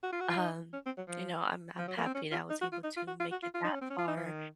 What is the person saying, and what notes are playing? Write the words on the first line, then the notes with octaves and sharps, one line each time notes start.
um, you know, I'm I'm happy that I was able to make it that far
F#4
F4
F#4
F4
D#4
C#4
C4
F#3
F3
F3
F#3
A#3
C4
C#4
F4
D#4
F#4
F4
D#4
F4
F#4
F4
F#4
F4
F4
D#4
C#4
C4
C#4
F4
D#4
F3
D#3